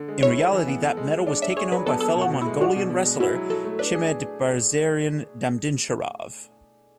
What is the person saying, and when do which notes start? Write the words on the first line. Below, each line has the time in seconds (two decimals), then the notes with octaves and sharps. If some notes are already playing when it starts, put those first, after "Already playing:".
In reality, that medal was taken home by fellow Mongolian wrestler Chimedbazaryn Damdinsharav.
Already playing: D3
0.08 G#3
0.22 E4 C#5
0.38 A4
0.52 E3
0.67 B3
0.82 A4
0.97 G#3
1.12 G#3
1.27 D4
1.42 D4 E5
1.56 G#4 C#5
1.72 F#3 B4
1.86 B3 A4
2.01 B3 A4
2.15 B2
2.21 F#4
2.31 B2
2.41 G#3 E4
2.61 D4 F#4
2.76 B2
2.90 B2
3.05 G#3
3.20 E4 F#4
3.35 F#3
3.50 F#3 A4
3.64 A3
3.79 D4 B4
3.94 G#4